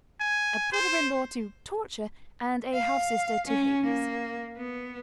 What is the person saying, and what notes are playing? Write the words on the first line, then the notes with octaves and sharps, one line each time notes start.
A brother-in-law to Torture and a half-sister to Hades.
G#5
C5
F5
C#4
A#3
B3